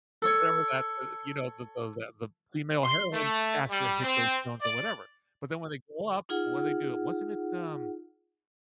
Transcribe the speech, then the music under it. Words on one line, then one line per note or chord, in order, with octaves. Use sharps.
whatever that, uh, you know, the the the the female heroine has to hit those notes or whatever. But then when they grow up, what do they do? Wasn't it, um,
A4 C#5
C6
A3
G3
C4
D5
D#4 F4 G#4 F#5